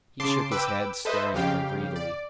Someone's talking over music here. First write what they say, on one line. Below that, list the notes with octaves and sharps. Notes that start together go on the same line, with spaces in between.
He shook his head, staring at her greedily.
C#3 A5 C6 D6 C7
B4 G5 D6 E6
A4 B4 C5 D#5 E5
F2 C#3 G4 F5 G5
D5